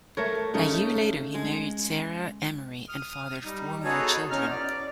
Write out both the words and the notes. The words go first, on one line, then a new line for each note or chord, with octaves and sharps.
A year later, he married Sarah Emery and fathered four more children.
A3 A#4 C#5
C#3 A3 D#4
G#3
D#6 F6
G3 D#4
B3 D#4 F#4 G#4 A4 C#5
E2 C#4 D#4 F6
D5